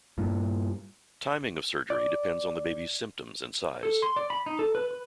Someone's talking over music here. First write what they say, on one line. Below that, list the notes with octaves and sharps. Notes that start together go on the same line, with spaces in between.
Timing of surgery depends on the baby's symptoms and size.
G2 A#2
D5
A4
C6
D5
B5
D#4
A4
B4
B4